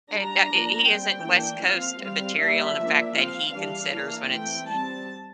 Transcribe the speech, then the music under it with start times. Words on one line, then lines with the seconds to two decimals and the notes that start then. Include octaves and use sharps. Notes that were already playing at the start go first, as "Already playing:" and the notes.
He that h he isn't West Coast material in the fact that he considers when it's
0.10 G3 D4 A#5
0.49 F3 A#3 D4
0.86 G3 C4 G5
1.24 E3 A#3 D4
1.62 F3 C4 F5
2.00 G3 C4 F5
2.39 G3 A#3 D4 E5
2.76 F3 A#3 D4
3.14 F3 C4 F5
3.52 E3 G3 D4 F5
3.91 E3 A#3 D4
4.29 E3 A3 C4 G5
4.67 G3 C4 A5